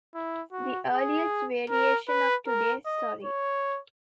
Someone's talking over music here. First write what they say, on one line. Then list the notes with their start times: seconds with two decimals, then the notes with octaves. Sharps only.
The earliest variation of today's Sorry!
0.15 E4
0.52 F#4
0.92 G#4
1.70 A#4
2.08 B4
2.46 A#4
2.86 D#5
3.24 C#5